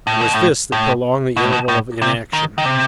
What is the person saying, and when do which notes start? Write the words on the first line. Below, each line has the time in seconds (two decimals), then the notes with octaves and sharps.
It was this that prolonged the interval of inaction.
0.07 A2
0.21 B2
0.34 A2
0.72 A2
1.37 B2
1.45 A2
1.52 B2
1.68 A2
2.02 C3
2.33 D#3
2.58 D#3
2.65 C3